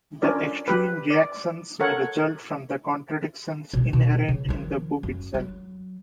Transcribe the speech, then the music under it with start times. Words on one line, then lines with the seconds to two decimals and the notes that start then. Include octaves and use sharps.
The extreme reactions may result from the contradictions inherent in the book itself.
0.22 C#4 D4 F4 A#4 D5
0.68 G4 B4
1.10 D5
1.80 A4 A#4 C#5 F#5
3.73 B2 D3
3.93 B2
4.28 C#3
4.49 D#3 F3
5.03 F#2
5.34 F#3